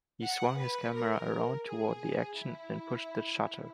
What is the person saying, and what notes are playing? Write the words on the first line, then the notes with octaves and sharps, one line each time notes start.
He swung his camera around toward the action and pushed the shutter.
F#5
B4
A#4
G#4
E4